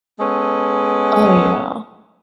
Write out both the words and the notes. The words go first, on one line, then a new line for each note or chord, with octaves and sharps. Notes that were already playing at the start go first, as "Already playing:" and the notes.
Oh yeah.
G#3 B3 C#4 A4 B4 D#5